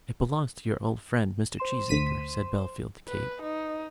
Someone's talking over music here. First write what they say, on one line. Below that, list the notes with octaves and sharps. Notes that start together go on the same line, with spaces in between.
"It belongs to your old friend, Mr. Cheesacre," said Bellfield to Kate.
C5 C6 E7
D2 B6 D#7
B4
D#4